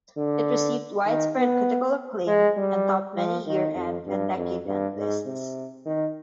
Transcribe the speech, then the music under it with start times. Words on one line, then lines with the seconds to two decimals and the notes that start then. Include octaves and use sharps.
It received widespread critical acclaim and topped many year-end and decade-end lists.
0.17 D3
1.07 D#3
1.37 B3
2.27 G#3
2.57 G3
3.17 F3
3.47 D#3
3.76 F2
4.06 G2
4.36 F2
4.66 G2
4.96 G#2
5.26 C3
5.86 D#3